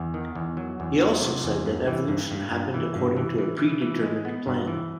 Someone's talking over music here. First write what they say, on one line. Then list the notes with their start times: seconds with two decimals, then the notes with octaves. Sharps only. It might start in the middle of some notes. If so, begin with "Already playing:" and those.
He also said that evolution happens according to a predetermined plan.
Already playing: E2
0.14 D#3
0.35 E2
0.57 F#3
0.80 E2
1.00 F#3
1.22 C3
1.44 E2
1.65 G2
1.87 E3
2.08 G2
2.31 G2
2.52 G2
2.74 E3
2.95 G2
3.17 E3
3.38 E3
3.59 E3
3.81 E3
4.03 G#3
4.25 B3
4.46 G2
4.67 E3